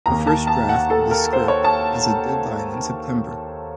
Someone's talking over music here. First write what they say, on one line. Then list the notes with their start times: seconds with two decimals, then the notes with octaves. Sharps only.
The first draft of the script has a deadline in September.
0.06 D#2 D#3 A#3 A#5
0.27 A5
0.47 A5
0.69 F#5
0.90 A4
1.11 A#4
1.33 C5
1.48 C#5
1.64 A5